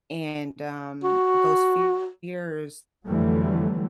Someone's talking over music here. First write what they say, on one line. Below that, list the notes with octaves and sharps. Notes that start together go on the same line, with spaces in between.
And, um, those fears
F#4
F2 D3 E3 F#3 G3 A3